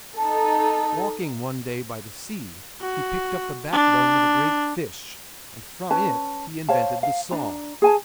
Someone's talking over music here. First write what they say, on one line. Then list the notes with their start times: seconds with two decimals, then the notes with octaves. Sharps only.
Walking one day by the sea, he picked up the backbone of a great fish, and from it he invented the saw.
0.17 D#4 A4 A5
2.81 F#4
3.72 D4
5.90 C#4 B4 A5
6.69 C5 C#5 F5 A5
7.03 F5
7.31 D4 A#5
7.82 G#4 G#5 A5